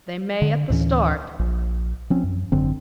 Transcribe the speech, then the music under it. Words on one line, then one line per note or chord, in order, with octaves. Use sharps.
"They may at the start."
D3
D2 A2 E3 C#4
A#1
F3 C4 C#4
F#2
G#1 F#2 D3 C4